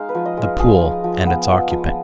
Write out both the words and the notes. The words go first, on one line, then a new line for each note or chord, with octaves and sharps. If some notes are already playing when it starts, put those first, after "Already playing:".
The pool--and its occupant.
Already playing: G#3 D#4 F5
B4
F3
D#5
G#3
F5
F3 G#4
F3
F3
B3
F3
F3